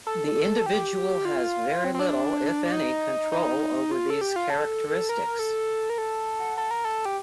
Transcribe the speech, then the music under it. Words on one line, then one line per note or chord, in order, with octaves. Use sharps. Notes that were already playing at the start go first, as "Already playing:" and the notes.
The individual has very little, if any, control over these characteristics.
A4
G4
F4
C4
C4
D4
D4
D#4
D#4
F4
A4
G4
F4
A4
A#4
A4
A#4
A4
A4
A#4
A4
G4